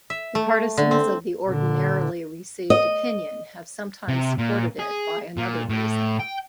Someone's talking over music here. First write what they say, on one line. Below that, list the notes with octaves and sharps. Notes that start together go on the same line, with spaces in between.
The partisans of the ordinarily received opinion have sometimes supported it by another reason.
E5
A3
D3
C4
A#2 D3
D#5
C3
A#2
G#4
A#2
A2
G5